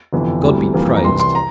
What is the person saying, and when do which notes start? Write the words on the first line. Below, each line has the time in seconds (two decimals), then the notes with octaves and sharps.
God be praised!
0.13 G1 F2 C3 E3
0.43 D2 C3 E3 G3
0.74 F2 E3 G3 A#3
0.96 A#5
1.04 C2 C3 E3 C6
1.20 C6
1.35 A#5